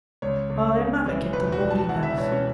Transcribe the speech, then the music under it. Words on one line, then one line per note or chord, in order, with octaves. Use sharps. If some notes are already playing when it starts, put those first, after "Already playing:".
'Oh! their mother kept a boarding-house.
C#2 C#5
C#2
C#3
E3
E1 B4
F#4
E1
A5
E2 F#5
E5
B2 C#5
C#4